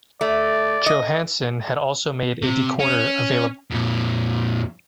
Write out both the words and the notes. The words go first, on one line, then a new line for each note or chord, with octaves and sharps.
Johansen had also made a decoder available.
A3 D5
D#5
C3
C#4
F2 A#2